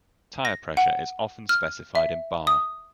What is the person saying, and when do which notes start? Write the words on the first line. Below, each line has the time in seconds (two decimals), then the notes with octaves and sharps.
Tire pressure is often specified in bar.
0.45 A#6
0.77 F#5
1.49 F6
1.95 E5
2.47 D#6